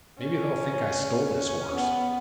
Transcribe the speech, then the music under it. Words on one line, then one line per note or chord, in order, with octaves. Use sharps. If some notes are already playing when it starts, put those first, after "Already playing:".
'Maybe they'll think I stole this horse.
C#4
C#4
B3